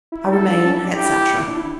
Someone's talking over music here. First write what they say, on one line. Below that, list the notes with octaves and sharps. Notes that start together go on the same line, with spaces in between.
I remain, etc.
E4
D4
E4 A4
D4
C#4
E4
D4
E4 G4
D4
E4